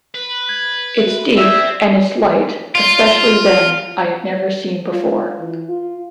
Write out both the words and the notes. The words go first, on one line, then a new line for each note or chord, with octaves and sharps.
It's deep and it's light,' especially then, I had never seen before.
B4
G6 G#6
F#4 E5
C4 D5 E5 G#6
F4
F4
E3
F4